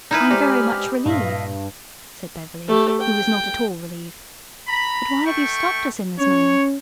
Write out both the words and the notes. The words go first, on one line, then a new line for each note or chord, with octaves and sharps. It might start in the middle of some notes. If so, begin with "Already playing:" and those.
"I am very much relieved," said Beverly, who was not at all relieved. "But why have you stopped us in this manner?"
D#4 E4 B4 G#5 B5 F6
G#3 D#4 G4 C5 D5
G2 A#2 E4 D#5 F5
A3 G4
G5
A#5 B5
A3 G5 C#6
C#4 C#5